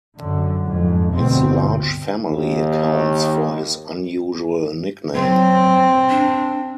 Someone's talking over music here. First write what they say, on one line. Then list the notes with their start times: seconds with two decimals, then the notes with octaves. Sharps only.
His large family accounts for his unusual nickname.
0.17 F#2 D3
0.66 F2 G#2
1.13 G1 D2 B2 C4
2.27 D#2
5.15 F#3 C4
6.10 D4